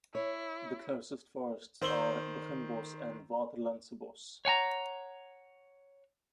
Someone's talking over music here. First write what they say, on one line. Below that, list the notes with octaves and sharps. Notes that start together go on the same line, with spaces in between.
The closest forests are Beginbos and Waterlandsebos.
E4 C#5
D#3 C5 E6 F#7 G7
C#5 F#5 G#5 A#5